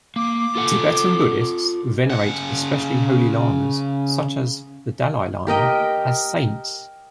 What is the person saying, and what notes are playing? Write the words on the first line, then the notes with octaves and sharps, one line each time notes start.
Tibetan Buddhists venerate especially holy lamas, such as the Dalai Lama, as saints.
A#3 D6
F4 A4 F#5
C#3 F#5
G4 A#4 D#5 G5